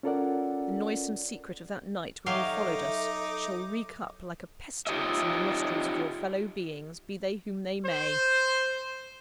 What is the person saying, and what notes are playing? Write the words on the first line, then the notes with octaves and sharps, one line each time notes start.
The noisome secret of that night when you followed us, shall reek up like a pestilence in the nostrils of your fellow-beings, be they whom they may.
C#4 F4 A4 A#4 D5 F#5
F#3 D#4 G4 A4 E5 F5 D6
D#4 F4 G4 C#5 D#5 E5
C5